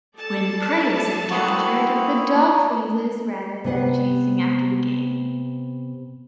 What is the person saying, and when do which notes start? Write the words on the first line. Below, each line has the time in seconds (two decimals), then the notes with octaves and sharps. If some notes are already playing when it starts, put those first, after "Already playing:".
When prey is encountered the dog freezes rather than chasing after the game.
0.16 A4 D5 A5
1.31 A#3 C4 E4 F#4 C#6 D#6 F#7
3.64 C3 B3 F#5